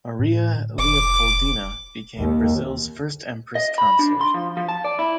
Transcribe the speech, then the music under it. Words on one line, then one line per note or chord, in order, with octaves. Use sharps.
Maria Leopoldina became Brazil's first empress consort.
A2
F1 D6
D#2
D#5
B5
D4
C6
F3
F3
A5
D5
E4